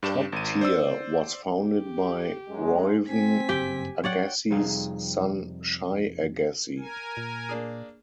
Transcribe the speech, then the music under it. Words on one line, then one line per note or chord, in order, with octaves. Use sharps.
TopTier was founded by Reuven Agassi's son Shai Agassi.
G2 D4 G4 E7
G#1 D#7
C5 D5 E6
G4
F#2 G#3
C4 G#5 B6
F#1 G2 G4 G5
F#3 C#5 D5 F#5 G5
F2 C3 G3 D#4 G#4 F5
A#4 G#5
A#2
A#3 D4 G#4